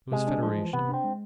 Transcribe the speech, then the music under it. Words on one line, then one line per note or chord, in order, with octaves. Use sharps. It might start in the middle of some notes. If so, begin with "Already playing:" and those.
It was Federation.
C3 G#3
D4
F3 G#3
E3
C3 B3
C4 D4
G#3